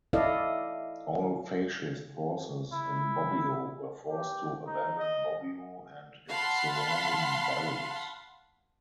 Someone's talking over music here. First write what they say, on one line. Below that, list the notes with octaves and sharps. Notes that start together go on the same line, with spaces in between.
All fascist forces in Bobbio were forced to abandon Bobbio and its surrounding valleys.
E4 A4 D5 D#5 F5
E4
G4
D#4
D#5
F5 F#5 A5 B5 C6